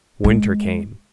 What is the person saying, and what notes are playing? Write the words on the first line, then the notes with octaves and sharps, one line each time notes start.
Winter came!
G#3